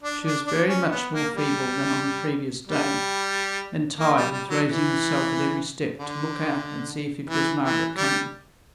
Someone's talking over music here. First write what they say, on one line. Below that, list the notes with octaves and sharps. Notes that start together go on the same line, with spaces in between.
She was very much more feeble than on the previous day, and tired with raising herself at every step to look out and see if it was Margaret coming.
D4
D4
D4
C#4
B3
A#3
G3
G3
A#3
G3
G3
F#3
E3
D3
E3
E3
G3